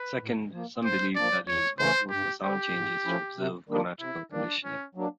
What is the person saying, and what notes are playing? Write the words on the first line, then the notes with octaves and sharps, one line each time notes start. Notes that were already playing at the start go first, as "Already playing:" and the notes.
Second, some believe that it is possible for sound changes to observe grammatical conditioning.
Already playing: B4
A2
F3 A#3
G#2 C5
F3 A#3 D4 D5
E2 C#5
C#3 E3 A3 C#4 C5
G2 G4
D3 G3 C4 G4
G#2
F3 A3 C#4 E4
C3
D#3 G3 A#3 D4
C3 E4
D#3 G3 A#3 D4
A2 C#4
F#3 A#3 D4